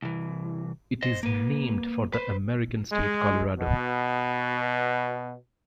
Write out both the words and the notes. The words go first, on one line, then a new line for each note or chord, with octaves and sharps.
It is named for the American state, Colorado.
C2 E3
C5 D#5
A#3 B4
B4 C5
G#3
B2